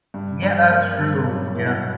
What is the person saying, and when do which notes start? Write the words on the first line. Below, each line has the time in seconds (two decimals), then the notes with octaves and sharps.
Yeah, that's true. Yeah.
0.14 G2
0.43 G2
0.70 A#3
0.99 G2
1.27 F#3
1.55 E4